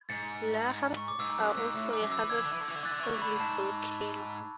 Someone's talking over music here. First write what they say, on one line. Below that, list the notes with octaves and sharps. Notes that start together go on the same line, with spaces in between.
Lahars are also a hazard of this volcano.
G#2 A6 C#7
C#6
D6
G#2 E6
E6
F#2 F#6
G#2 E6
A2
G#2 D6
F#2
E6
E3
D3 E6 G#6
E3
D3
E3
D3
E3
D3
E3 F#6 A6
D3
E3
D3 C#6
E3
D3 B5
A2
G#2 A5